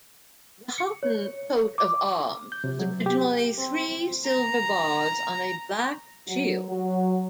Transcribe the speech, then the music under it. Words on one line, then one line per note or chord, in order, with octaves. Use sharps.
The Haughton coat of arms was originally three silver bars on a black shield.
C#7
C#5
D6
G6
C3
F#3
G4
C4
A#5
F#3
F#3